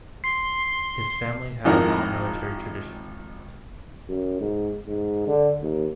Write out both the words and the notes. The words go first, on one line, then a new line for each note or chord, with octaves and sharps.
His family had a long military tradition.
C6 C7
G#1 F2 D#4 E4 A#4
F#2
G#2
G#2
D3
D#2